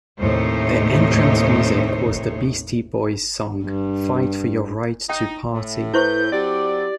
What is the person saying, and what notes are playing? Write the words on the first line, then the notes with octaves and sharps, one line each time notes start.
Their entrance music was the Beastie Boys' song "Fight For Your Right to Party".
D#2 A2 C3 D#4 C5 C#5
G2
D#4 G5
A2
E4 B4 C5 C#6 G6
F#3 C4 G4 D5